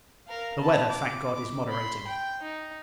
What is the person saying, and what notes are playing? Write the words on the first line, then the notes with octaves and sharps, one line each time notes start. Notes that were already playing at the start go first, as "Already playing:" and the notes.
The weather, thank God, is moderating.
A#4 F5
A5 B5
D6
B5 C6
G5
D#4